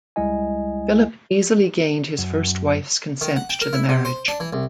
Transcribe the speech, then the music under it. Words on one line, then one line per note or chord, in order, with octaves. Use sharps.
Philip easily gained his first wife's consent to the marriage.
C#2 G3 G#3 E4 D#5 G#5
F#2
D#3
F#5
G5
A#4
E4
C3
C5
D4
E3
C2